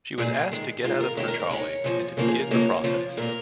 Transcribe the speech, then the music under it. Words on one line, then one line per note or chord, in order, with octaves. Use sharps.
She was asked to get out of her trolley and to begin the process.
A#2 G#3 G#4
D#3 G#3
D#3 G#3 F4
A#4
D#3 G#3 C#5
A#4
A#4
D#3 G#3 C#5
C#3 F3 A#3
C#3 F3 A#3 A#4
G#4
A#4
C#3 F3 A#3 C#5
C#3 F3 A#3
A#2 A#3 A#4